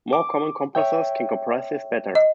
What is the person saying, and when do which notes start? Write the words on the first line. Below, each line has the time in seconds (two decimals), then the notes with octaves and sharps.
More common compressors can compress this better.
0.13 D6
0.75 C#5 E5 G5
2.15 D#5